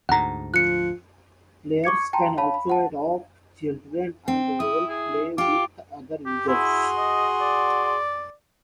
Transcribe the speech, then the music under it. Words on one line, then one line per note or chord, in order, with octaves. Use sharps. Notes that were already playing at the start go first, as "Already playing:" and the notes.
Players can also adopt children and roleplay with other users.
D2 G#2 F#5 A#5
F3 F#6 C#7
C#6 D6 G#6 C#7
G5 A5 A#5 C6
C#5 F5 A5 B5
B5
F#5 A5
C4
E4 D#6
G#4
F4 G4 D6
G4
E4 F#4 G#4 C6
D#5
D5